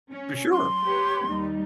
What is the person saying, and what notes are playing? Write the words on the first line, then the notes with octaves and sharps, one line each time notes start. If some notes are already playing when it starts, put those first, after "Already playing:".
For sure!
C#4
F#3 C6
G4 B4 C#5
D#2 G3 D#4